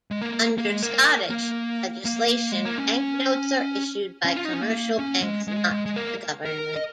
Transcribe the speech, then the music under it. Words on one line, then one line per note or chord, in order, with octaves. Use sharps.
Under Scottish legislation, banknotes are issued by commercial banks not the government.
G#3
A#3
A#3
G#3
A#3
A#3
A#3
G#3
A#3
C#4
C#4
F4
D#4
C#4
A#3
C#4
G#3
G#3
G#3
G#3
A#3
A#4
D#5